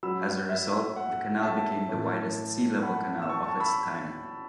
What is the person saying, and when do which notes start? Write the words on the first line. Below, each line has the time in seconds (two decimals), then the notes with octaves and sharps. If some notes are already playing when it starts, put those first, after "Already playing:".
As a result, the canal became the widest sea level canal of its time.
0.03 F#2 F#3 B5 E6
0.49 E5
0.96 F#5
1.42 E5 A5
1.89 A2 E3
2.82 F#5 B5
3.22 E6
3.29 A5 C#6
3.44 A5 C#6
3.60 B5 E6